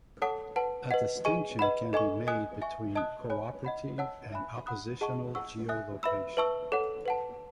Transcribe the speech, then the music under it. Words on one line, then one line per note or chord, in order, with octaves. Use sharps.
A distinction can be made between "co-operative" and "oppositional" geolocation.
A4 C#5 F#5 A5 D#6
B4 F#5 A5
B4 D#5 F#5
G#4 D#5 G#5 C#6
B4 D#5 F#5 B5
A4 D#5 G#5 C#6
D#5 G#5 D#6 F#6
E5 G#5 C#6
D#5 A5 D#6 F#6
C#5 G#5 B5
D#5 F#5 B5
C#5 F#5 A5 E6
E5 G#5 B5 F#6
F#5 B5 D#6 F#6
G#4 D#5 F#5 A5 C#6
F#5 C#6 E6
E5 G#5 D#6 F#6
B4 E5 B5 E6
B4 E5 A5 C#6 E6
A4 C#5 F#5
B4 F#5 A5